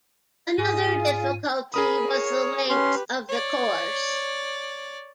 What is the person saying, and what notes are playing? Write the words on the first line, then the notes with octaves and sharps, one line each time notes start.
Another difficulty was the length of the course.
G#2 F4 G#4 G#5
G#4 A#4 B5 D#6
C#5
C#4 G4 B4 C6
C#5 D5